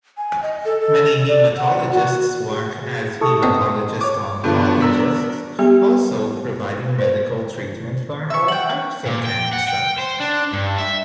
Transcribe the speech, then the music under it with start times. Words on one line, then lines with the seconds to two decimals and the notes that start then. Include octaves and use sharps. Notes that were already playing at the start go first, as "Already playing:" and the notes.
Many hematologists work as hematologist-oncologists, also providing medical treatment for all types of cancer.
0.18 G#5
0.43 D#5
0.65 A4
0.80 A4
1.28 D5
1.57 F#5
1.92 F#4
2.51 G#4
3.21 E4 G4 A4 C#6 D#6
3.43 G2 A#2 B3 C4 D#4
4.01 C#5 D6
4.44 G2 D3 F3 B3 D4 F#4
4.81 A#4 E6 B6
5.59 G3 B3 G4
6.99 C5
8.30 E5 C#6
8.48 F#5 G5
9.06 A#2
9.26 G5
9.53 F#5
9.68 G5
9.98 C5
10.20 D4
10.53 G2
10.78 E5